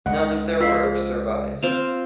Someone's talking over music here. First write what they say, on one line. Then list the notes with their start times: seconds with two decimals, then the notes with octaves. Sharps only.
None of their work survives.
0.06 C#2 D#5 F#5
0.61 F4 D#5 E6 B6 C7
0.83 G#4 C5
1.63 C4 F4 C5 E7 F7